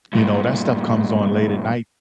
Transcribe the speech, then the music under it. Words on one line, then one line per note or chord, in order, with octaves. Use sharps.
you know, that stuff comes on late at night.
G2 A#2